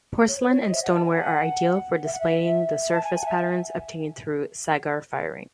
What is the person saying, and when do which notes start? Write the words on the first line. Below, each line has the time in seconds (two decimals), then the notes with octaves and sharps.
Porcelain and stoneware are ideal for displaying the surface patterns obtained through saggar firing.
0.28 C#5
0.39 C5
0.50 C#5
0.61 D#5
0.72 E5
0.83 F#5
0.94 A5
1.05 G#5
1.16 F#5
2.05 E5
2.13 F#5
2.21 E5
2.93 A5
3.04 G#5
3.15 G#5
3.21 F#5
3.26 E5